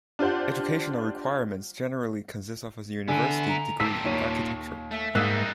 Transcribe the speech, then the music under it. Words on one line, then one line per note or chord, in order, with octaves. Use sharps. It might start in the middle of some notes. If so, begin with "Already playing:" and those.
Educational requirements generally consist of a university degree in architecture.
D4 F4 G4 C5 F#5
D3 B3 E4 G#5
A#5
A#2 G4 A5 E6 B6
D#2 C#5 D#7
A3 E5
G#2 G3 A#3 D#4 D#6 E6 F#6